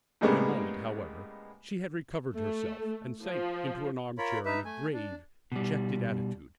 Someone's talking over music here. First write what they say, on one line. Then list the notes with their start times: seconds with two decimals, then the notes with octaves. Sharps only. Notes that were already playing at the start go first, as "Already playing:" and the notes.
In a moment, however, she had recovered herself, and sank into an armchair in a grave, dejected attitude.
0.21 A2 C#3 G3 G#3 A#3 B3
2.35 A3
3.23 F3
4.18 F4 A#4 C#5 B5
4.46 D#4 B4 E5
4.65 A3 G#5
4.93 D4
5.52 B2 G3